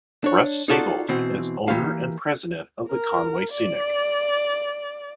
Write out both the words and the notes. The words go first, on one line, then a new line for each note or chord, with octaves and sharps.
Russ Seybold is owner and president of the Conway Scenic.
D4 C#5
D#4 F4 F#4 A4 D5
B2 E3 C4
E3 A#3 G4 F5
A#4
D5